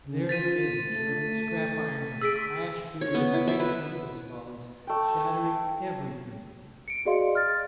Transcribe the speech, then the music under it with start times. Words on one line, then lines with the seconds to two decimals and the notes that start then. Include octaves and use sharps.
There again German scrap-iron has crashed through in great senseless volleys, shattering everything.
0.05 C#3
0.29 F4 A6 B6 D#7
0.89 A3
2.22 G#4 E6 B6 D7
3.01 C#5
3.14 B3
3.34 E4
3.47 E5
3.60 B4
4.87 A3 G5
6.88 C#7 D7
7.05 F#4 G#4 D5 D#5 F5 C6
7.35 F6 A6